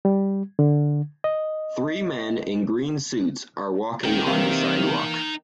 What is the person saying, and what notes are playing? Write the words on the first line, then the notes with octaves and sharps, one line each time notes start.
Three men in green suits are walking on a sidewalk.
G3
D3
D#5
D#1 D#4 G5
C3 E3 A#3